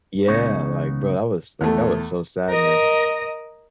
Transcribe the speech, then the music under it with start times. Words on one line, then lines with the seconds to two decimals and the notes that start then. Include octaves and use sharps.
Yeah. Like, bro, that was, like, that was so sad, man.
0.27 C#2 C#3 B3 D#4 C#5
1.61 E2 A3
2.49 A#4 D#5